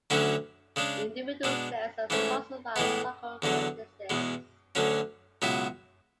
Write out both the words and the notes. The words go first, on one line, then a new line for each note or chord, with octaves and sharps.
Individual stands are sponsored by local businesses.
D2 D3 F#3 C#4 E4
C#3 G#3 D4
B2 G#3 D4
G#2 E3 A3 C#4
A2 E3 G#3 B3
E2 D3 F#3
E2 B2 G#3
D2 D3 F#3 C#4
C#2 B2 F#3 B3 E4